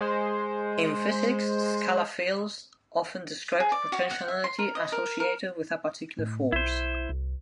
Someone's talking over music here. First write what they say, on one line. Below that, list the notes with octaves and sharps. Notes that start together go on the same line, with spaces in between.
In physics, scalar fields often describe the potential energy associated with a particular force.
G#3 C5
G#4
D5
F#4
F#5
E5
C6
A#4
D#5
A#4
A#4
A2
B1 E4 C5
C2